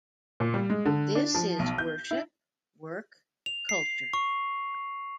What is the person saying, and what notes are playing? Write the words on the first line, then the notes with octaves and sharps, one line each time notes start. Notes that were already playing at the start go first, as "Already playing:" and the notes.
This is worship, work, culture.
A#2
G3
G#3
D3
D4
F3
B1
G6
E4
F7
C7
C#6